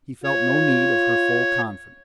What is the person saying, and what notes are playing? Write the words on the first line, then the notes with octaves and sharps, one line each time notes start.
He felt no need of her full confidence.
F4 C#5